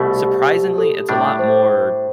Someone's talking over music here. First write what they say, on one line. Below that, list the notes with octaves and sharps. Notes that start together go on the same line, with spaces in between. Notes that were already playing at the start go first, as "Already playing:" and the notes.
surprisingly, it's a lot more
Already playing: C2 B2 A3 G4
G4
A4
A2 G3 D4
C5